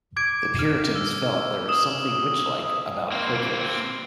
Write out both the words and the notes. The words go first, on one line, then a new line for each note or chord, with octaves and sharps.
The Puritans felt there was something "witchlike" about Quakers.
D6 G#6 D7
F6
E6
D#6 E7
A#3 C4